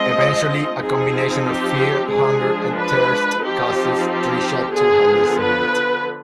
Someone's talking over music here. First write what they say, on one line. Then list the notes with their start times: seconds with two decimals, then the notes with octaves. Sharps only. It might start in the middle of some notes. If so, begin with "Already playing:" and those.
Eventually, a combination of fear, hunger, and thirst causes Trisha to hallucinate.
Already playing: F3 G#3 C4 D#5
0.81 F3 C4 D#4 G#4
1.47 G4
2.12 F3 G#3 D4 G#4
2.78 B4
3.43 F3 C4 D#4 G4
4.08 G4
4.74 D3 F3 B3 G#4
5.40 B4